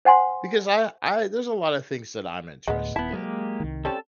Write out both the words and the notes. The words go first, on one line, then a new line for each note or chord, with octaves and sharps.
because I I there's a lotta things that I'm interested in,
C5 F#5 G#5 C6
D2 A2 G#3 B3
D#1 B3 E4 A5
F#3 G#3 A#3 G4
C2 D#3
G3 C4 C#4 A4 A5